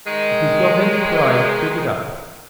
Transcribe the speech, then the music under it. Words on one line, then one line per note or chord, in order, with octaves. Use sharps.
If he's got any pride, dig it up.
D#3 G#3